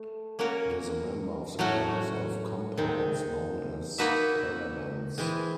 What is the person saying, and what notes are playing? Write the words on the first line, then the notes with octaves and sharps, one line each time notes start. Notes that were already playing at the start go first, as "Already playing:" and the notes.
It is a member of the class of compounds known as parabens.
Already playing: A3
A#3 C#4 F#4 A#4
A2 F#3 A3 C#4 F#4
D#3 G#3 C4
A#3 D#4 F#4 B4 E5
E3 G#3 C4